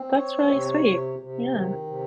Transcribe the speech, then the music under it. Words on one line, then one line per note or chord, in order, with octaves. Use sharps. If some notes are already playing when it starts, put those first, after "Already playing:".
That's really sweet, yeah.
Already playing: C4
C#5
C3
C3
C3
D#3
C3